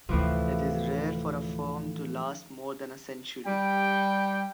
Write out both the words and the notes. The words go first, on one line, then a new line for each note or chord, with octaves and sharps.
It is rare for a firm to last more than a century.
D2 A2 C3 E3 F3
G3 G5